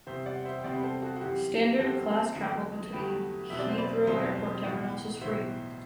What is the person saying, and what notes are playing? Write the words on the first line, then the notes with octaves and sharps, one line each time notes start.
Standard-class travel between Heathrow Airport terminals is free.
E2 C3 G3 C4 C5 E5
D5 F#5
C5 E5
G5
E2 C3 G3 C4 D5 F#5
B4
A4 C5
F#4 A4
F#4
F#2 E3 G3 C4 G4
F#2 E3 G3 C4 F#4 A4
E2 D3 F#3 A3
E2 D3 F#3 A3 G4 B4
E2 B2 F#3 C4 E5
D5
C5
B4 D5
E2 B2 F#3 C4 C5 E5
B1 A2 E3 B3 D5 F#5
B1 A2 E3 B3 C5 E5